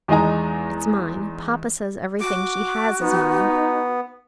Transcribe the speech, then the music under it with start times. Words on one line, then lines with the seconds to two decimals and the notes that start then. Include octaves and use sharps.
It's mine: papa says everything she has is mine.
0.08 E2 G#3 D#4 D#5 G#5 A#5
2.21 F#4 D6
3.00 B3 D#4